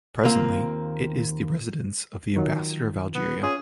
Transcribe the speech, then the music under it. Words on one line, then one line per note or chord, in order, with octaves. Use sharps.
Presently it is the residence of the ambassador of Algeria.
D#2 A#3 C4 F4
D#3 F#3 F4
B3
C#4 F4 G#4